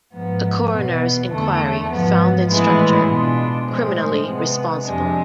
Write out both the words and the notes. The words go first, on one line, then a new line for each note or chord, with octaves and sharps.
A coroners inquiry found the instructor criminally responsible.
G#2 F3 B3
E2 B2 B3
E2 D3 A3
G#2 F3 B3
A2 E3 G#3 B3 E4
B2 G#3 D4 F4
A2 F3 G#3 C4
C3 G#3 B3
F2 C3 G#3 D4